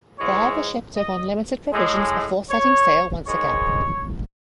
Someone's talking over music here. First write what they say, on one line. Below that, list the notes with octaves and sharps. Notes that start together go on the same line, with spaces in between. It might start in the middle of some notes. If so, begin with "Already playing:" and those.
There the ship took on limited provisions before setting sail once again.
G#2 E3 G#3 C#5
D#5
A2 G#3
C#5
G#2 D#3 G#3 C#5